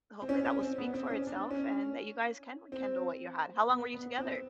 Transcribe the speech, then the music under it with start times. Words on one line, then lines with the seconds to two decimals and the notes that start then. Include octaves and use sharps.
hopefully that will speak for itself and that you guys can rekindle what you had. How long were you together?
0.22 C4
0.29 C#4
0.46 C#4
0.61 C4
0.78 B3
0.94 C4
1.10 C#4
1.27 D4
1.51 C#4
2.72 C4
3.70 B3
3.94 B3
4.18 C4